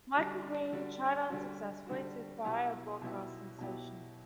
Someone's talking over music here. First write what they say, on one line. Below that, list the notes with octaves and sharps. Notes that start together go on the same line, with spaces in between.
Michael Green tried unsuccessfully to acquire a broadcasting station.
D3 G3 D4 F#4
D3 G3 D4 F#4
D3 G3 D4 F#4
D3 G3 D4 F#4
B2 F#3 B3 E4 G4
B2 F#3 B3 E4 G4
B2 F#3 B3 E4 G4